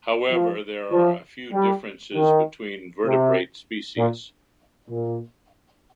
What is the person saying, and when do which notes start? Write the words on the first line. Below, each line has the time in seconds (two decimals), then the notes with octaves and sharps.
However, there are a few differences between vertebrate species.
0.30 F3
0.92 F3
1.53 G3
2.15 D#3
3.06 C3
3.97 A#2
4.90 A#2